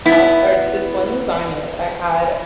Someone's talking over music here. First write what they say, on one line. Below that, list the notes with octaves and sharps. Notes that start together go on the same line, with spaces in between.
past or this one lasagna that I had,
B3 E4